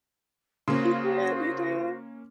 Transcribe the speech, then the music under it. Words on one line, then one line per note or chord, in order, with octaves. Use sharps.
You did, you did.
C#3 A#3 C#4 F#4 C5 F5 C6